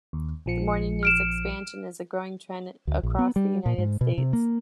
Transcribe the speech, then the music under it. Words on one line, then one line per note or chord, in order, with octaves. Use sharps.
The morning news expansion is a growing trend across the United States.
D#2
A#1 F3 C#7
F6 D7 E7
D2
A#1
B3
G3
A#2
G#2
B2
C3
A#3